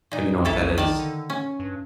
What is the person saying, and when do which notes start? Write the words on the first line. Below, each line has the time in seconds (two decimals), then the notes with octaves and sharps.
if you know what that is.
0.12 A#2 D#4
0.45 B1 E4 A4 C#5
0.78 D#3 D5 A5
0.99 D3
1.30 C#4
1.60 G2